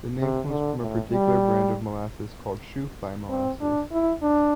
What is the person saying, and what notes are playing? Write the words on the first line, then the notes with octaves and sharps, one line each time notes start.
The name comes from a particular brand of molasses, called Shoofly Molasses.
C3
D3
A2
G3
C4
D4
E4
D4